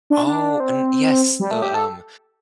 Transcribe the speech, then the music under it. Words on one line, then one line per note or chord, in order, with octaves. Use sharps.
Oh, and yes. The, um,
D4
D4
C4
G3
A3
G4
A4